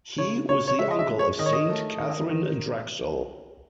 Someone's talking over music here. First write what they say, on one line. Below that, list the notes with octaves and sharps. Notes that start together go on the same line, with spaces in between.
He was the uncle of Saint Katharine Drexel.
C#3 C#5
C#3 C#5
C#5
G#3 E5
D#5
E5
G#3
C#5
D#3 D#5
C#5
D#5
A3
D#3
D#3